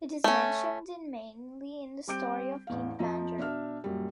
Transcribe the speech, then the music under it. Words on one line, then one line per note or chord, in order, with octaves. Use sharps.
It is mentioned in mainly in the Story of King Banjar.
A3 C#4
G3 C4 D6 G6 D7
A1 E2 F5
F2 F3 D#5 A#5
B2 D4 E5 F6
F#2 A#2 G3